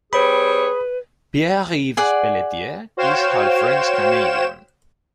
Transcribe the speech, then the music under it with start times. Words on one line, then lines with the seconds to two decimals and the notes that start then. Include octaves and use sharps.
Pierre-Yves Pelletier is half French Canadian.
0.13 G3 C4 G#4 B4 C#5 B5
1.97 G#4 D5 F#5
2.97 F#4 C5 C#5 F5 G5 E7